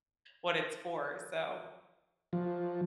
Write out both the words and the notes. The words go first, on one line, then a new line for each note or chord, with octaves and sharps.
what it's for, so.
F3